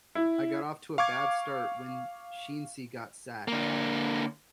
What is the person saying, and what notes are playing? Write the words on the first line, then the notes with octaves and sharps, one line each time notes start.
I got off to a bad start when Sheensy got sacked.
E4
F5 C#6 D6 G#6
D3 A#3